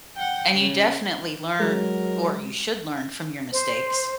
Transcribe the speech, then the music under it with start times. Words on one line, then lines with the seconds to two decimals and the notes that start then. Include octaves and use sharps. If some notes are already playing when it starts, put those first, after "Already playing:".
And you definitely learn or you should learn from your mistakes.
0.16 F#5 G5
0.52 C#3
1.60 F#3 G#3 A#4
3.52 C5